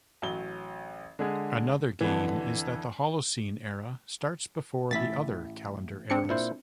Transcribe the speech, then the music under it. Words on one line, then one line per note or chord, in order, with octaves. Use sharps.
Another gain is that the Holocene Era starts before the other calendar eras.
A1 F#3 G7
D3 G#3 G#4
F2 D3 E3
A1 E4 A6 B6
C4 D4 C#7
A#2 E4 C5